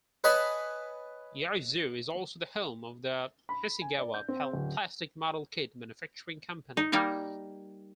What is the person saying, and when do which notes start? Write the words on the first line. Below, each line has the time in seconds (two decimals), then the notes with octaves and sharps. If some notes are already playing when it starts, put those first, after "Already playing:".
Yaizu is also the home of the Hasegawa plastic model kit manufacturing company.
0.24 B4 C#5 D#5 G#5 A5 B5
3.49 B5
3.82 G#5
3.98 D5
4.14 G6
4.29 C4
4.53 D1
6.77 D#4
6.92 G3 A#3 D#4 A#4